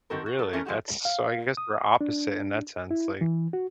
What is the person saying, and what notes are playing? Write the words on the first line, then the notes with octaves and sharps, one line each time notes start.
Really, that's so I guess we're opposite in that sense, like,
D#3 C4 F#4 A4 A#4
F#4
A2 F#3 A4
E3 A3 C#4 A#4
F3 G#3 A3 F#4 G4
F5
D#6
D4
E4
E3
F#4